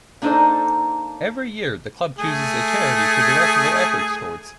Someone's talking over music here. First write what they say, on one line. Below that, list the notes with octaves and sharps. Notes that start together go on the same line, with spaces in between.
Every year the club chooses a charity to direct their efforts towards.
A#3 D4 D#4 A4 C5 D5
A3 G#4